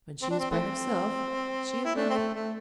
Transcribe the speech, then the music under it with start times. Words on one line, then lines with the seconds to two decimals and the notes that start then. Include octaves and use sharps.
When she is by herself, she is one thing.
0.22 C4
0.31 D4
0.39 C4
0.51 E3 A3 C4
1.84 E4
1.95 A3 D4
2.09 C4
2.14 A3
2.34 A3